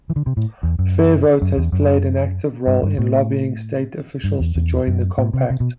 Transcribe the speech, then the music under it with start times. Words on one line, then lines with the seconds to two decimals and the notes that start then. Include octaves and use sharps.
FairVote has played an active role in lobbying state officials to join the compact.
0.10 E3
0.16 D3
0.26 C3
0.37 A2
0.63 E2
0.79 F#2
1.42 F#2
1.57 E2
1.72 F#2
2.67 G2
2.83 G2
2.98 A2
4.24 G2
4.40 E2
4.56 E2
4.87 F#2
5.18 A2
5.34 C3
5.50 C3
5.60 B2